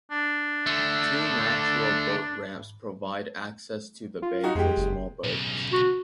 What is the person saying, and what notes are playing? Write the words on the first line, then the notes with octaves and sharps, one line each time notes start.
Two natural boat ramps provide access to the bay for small boats.
D4
D3 A3
F4
D#4 F#4
F2 G#3 G4
F#1
B1 C#3
F#4